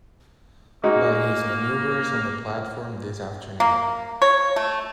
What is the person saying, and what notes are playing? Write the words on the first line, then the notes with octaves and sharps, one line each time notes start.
By his manoeuvres on the platform this afternoon.
G#3 A#3 D#4 F#4
A#3
C#5
A3